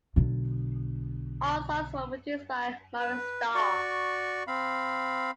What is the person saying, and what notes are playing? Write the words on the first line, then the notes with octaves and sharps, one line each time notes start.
All songs were produced by Maurice Starr.
B1 D3
B4
F#4 D5 C#6
C4 F5 B5